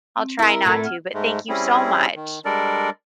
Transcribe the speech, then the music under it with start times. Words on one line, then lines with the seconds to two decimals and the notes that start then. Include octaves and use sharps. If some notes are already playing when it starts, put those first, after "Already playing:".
I'll try not to, but thank you so much.
0.17 C4
0.39 E4 A#4
0.65 A2 A3 A4 G#6
0.83 F#5 F6
1.14 G#2 G#3 A3
1.49 G3 C4 C#4 E4 G#4
2.16 D#3
2.45 G3 G#3 D4 A4 A#4 D5